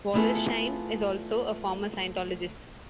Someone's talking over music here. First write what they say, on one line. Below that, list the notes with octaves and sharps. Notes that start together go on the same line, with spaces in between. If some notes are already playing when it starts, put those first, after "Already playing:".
Wollersheim is also a former Scientologist.
A3 B3 E4 F4 G#4 A4